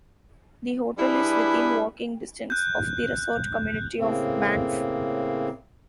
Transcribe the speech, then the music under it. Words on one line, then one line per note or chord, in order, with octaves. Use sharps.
The hotel is within walking distance of the resort community of Banff.
G3 D4 E4 G#4 B4
F#6 G6
A2 C#3 A#3 C4